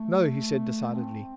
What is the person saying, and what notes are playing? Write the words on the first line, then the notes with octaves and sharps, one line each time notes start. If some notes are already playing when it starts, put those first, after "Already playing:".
'No,' he said decidedly.
Already playing: A3
C4